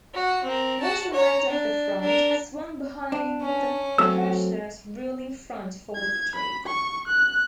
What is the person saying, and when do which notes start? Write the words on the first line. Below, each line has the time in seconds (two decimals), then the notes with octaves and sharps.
What remained of the Front swung behind the Kirchners' ruling Front for Victory.
0.14 F#4
0.44 C4 A#4
0.80 F#4 A5
1.13 C#5 A#5
1.49 D4
2.01 D4 A#4
3.12 D4
3.41 C#4
3.98 F#3 A3 C4 E6
5.95 G#6
6.36 B5
6.66 C#6
7.08 F#6